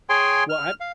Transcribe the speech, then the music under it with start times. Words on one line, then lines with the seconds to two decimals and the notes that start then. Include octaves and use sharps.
Well, I've
0.09 G#4 C#5 G5 G#5 C6
0.49 F6
0.80 F5